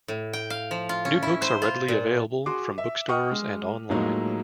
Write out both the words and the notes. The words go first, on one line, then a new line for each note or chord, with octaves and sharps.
New books are readily available from bookstores and online.
A2
G5
F5
F3
F4
C#4
E4
C5
F4
A#2
F#4 G#4 C6 D6
E5
D#5 F#5 G5 C#6 D#6 F6
G#3
A2 F3 F#3 G#3 A#3 D#4